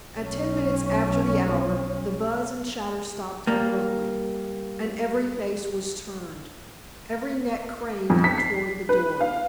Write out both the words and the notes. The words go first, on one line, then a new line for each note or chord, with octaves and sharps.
At ten minutes after the hour the buzz and chatter stopped abruptly and every face was turned, every neck craned toward the door.
B1 C#4
G3 A#3
F2
B6
C7
B4
F5